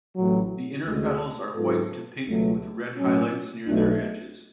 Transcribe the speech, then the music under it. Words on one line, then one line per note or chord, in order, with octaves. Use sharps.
The inner petals are white to pink with red highlights near their edges.
A1 A2 F#3
D2 C#3 G#3
G#2 F#3 B3 F4 A4
C#2 B2 F#3 A3
A2 F#3 C#4
B1 B2 A3 D4